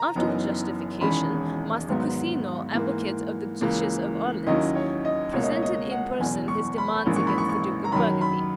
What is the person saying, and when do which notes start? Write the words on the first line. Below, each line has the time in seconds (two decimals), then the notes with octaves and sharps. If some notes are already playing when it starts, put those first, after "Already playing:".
After the justification, Master Cousinot, advocate of the Duchess of Orleans, presented in person his demands against the Duke of Burgundy.
Already playing: A#5
0.15 F#1 F#2 E3 B3 D#4
1.01 E1 E2 D#3 G#3 C#4 B5
1.88 G#1 G#2 F#3 B3
2.74 G#2 E3 A#3
3.61 C#2 C#3 E3 A#3
4.46 D#2 D#3 F#3 C#4 E4 D#5
4.75 C#5
5.05 D#5
5.33 C#2 B2 A#3 C#5
5.43 D#5
5.52 C#5
5.63 D#5
5.91 F#5
6.19 F#1 E2 B2 G#5
6.48 C#6
6.78 B5
7.06 A#1 G#2 E3 A#3 C#4
7.16 C#6
7.27 B5
7.38 C#6
7.49 C#6
7.84 A#5
7.92 F#2 D#3 F#3 B5
8.21 B5